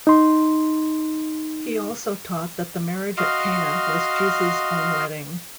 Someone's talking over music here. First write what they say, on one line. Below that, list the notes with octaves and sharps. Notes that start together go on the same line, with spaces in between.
He also taught that the marriage at Cana was Jesus' own wedding.
D#4 C6
F#4 D#5 F5 C6 F6